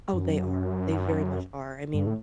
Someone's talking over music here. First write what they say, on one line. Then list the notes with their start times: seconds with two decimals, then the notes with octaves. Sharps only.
Oh, they are. They very much are. I mean,
0.13 F#2
1.94 G2
2.07 A2